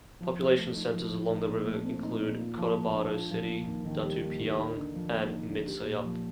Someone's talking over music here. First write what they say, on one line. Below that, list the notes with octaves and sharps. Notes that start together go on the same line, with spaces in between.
Population centers along the river include Cotabato City, Datu Piang, and Midsayap.
F3
F3
A3
D#4
F3
F3
D#4
A#2
A3
C4
D#4
A#2
F4
F3
A#3
D4
F4
F3
A#3
D#2
D#3
G3
A#3
D#2
D#4
D3
F3
A#3
D#4
D3
G4
A#2
F3